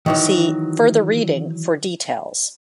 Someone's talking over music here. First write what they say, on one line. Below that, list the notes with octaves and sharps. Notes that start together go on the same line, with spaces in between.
See "Further reading" for details.
D#3 E3 F#3